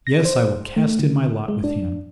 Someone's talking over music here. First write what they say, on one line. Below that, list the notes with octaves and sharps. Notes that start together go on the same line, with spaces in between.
Yes, I will cast in my lot with him.
A#6
C5
A3
D3
G#3
D4